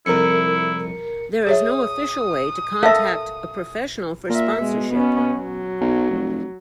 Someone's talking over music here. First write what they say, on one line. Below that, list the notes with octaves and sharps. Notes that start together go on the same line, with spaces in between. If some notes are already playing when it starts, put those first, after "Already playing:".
There is no official way to contact a professional for sponsorship.
C2 F2 E4 A#4 C#7
G#4 C#5 E5 D#6
A4 A#4 E5 F5
A#2 A#4 E5
B2 G#3
B3 C#4
F#3
B1
F1